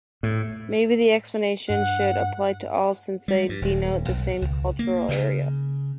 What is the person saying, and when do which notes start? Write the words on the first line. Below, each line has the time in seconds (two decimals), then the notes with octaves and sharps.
Maybe the explanation should apply to all since they denote the same cultural area.
0.23 A2
1.69 G2 F#5
3.28 G3
3.49 G2
3.62 D#1
4.08 B1
4.42 C#2
4.79 A#3
5.09 C#3